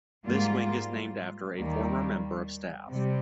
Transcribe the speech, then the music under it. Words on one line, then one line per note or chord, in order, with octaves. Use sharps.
This wing is named after a former member of staff.
G#2 G3 A#3 F4
D#2 D#3 G3 A#3
C3 G3